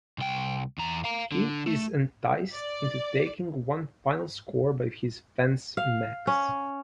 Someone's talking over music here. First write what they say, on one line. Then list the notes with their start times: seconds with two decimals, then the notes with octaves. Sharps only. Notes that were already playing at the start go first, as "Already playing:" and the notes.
He is enticed into taking one final score by his fence Max.
0.18 C2 G5
0.78 E2 A#5
1.04 F5 A#5
1.32 D3
1.67 A3
2.53 D5
5.77 F5
6.27 C#4